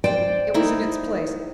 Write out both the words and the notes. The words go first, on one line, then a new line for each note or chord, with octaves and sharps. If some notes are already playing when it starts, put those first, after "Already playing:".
It was in its place.
C5 D5 G5
D#4 E4